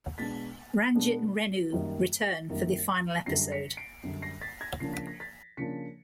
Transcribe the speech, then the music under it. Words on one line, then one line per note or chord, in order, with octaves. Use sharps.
Ranjit and Renu return for the final episode.
B2 G#3 B3 D4 A6 B6
B2 G#3 B3 D4
F#2 D#3 G3 A#3
F#2 D#3 G3 A#3
F#2 D3 G3 A#6 C7
B6 C#7
C7 D7
F#2 D3 G3
A#6 C7
A6 B6
G#6 A#6
C#3 F3 A#3 D4 C7
B6
A#6
A6 B6
C#3 F3 A#3 D4 B6 C#7